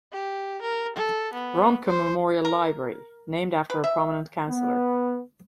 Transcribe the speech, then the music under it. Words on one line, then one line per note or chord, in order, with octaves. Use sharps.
Romke Memorial Library, named after a prominent Councillor.
G4
A#4
A4
B3
C5
A#4
B4
E5
B3